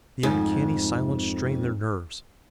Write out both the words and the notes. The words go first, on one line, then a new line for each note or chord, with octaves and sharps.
The uncanny silence strained their nerves.
F2 G#2